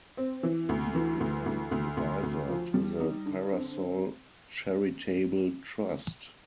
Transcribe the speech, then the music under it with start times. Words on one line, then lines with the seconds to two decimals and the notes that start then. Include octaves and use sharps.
He is an advisor to the Parasol Charitable Trust.
0.17 C4
0.43 E3
0.69 D2
0.95 E3
1.20 D2
1.46 D2
1.71 D2
1.97 D2
2.23 D2
2.48 F3
2.74 G3
3.00 D#4
3.26 D3
3.51 C4